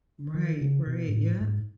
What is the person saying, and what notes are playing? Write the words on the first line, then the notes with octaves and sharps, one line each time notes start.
Right, right, yep,
D#3
C#3
B2
G#2
A2
G#2